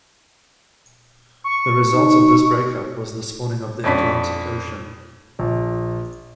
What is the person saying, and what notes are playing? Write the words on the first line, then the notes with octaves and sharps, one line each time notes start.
The result of this break-up was the spawning of the Atlantic Ocean.
C#6
D#4
F2 C#4 D4 B5 B6
A#1